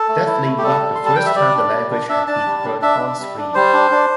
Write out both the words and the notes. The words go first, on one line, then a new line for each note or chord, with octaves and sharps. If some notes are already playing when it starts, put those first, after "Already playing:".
That film marked the first time the language had been heard on screen.
Already playing: A4
A3
E4
A3
G4
G3 A4
G3
G3 C6
A5
G3 G5
E5
G3 D5
D4
G3
D4
D4 E5
D4 A5
G3
D4
D4 E5
D4
G3
D4
G3 C5
D4
D4